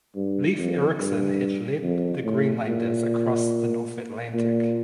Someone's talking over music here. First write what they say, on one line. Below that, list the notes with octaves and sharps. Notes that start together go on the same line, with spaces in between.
Leif Erikson has led Greenlanders across the North Atlantic.
G2
F2
G2
F2
A2
A#2
A#2